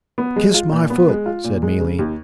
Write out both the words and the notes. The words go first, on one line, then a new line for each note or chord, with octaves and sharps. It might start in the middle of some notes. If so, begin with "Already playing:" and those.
"Kiss my foot!" said Mealy.
B3
G#3
F4
A#2
B3
G#3
F4
A#2
G#3
C#3
D#2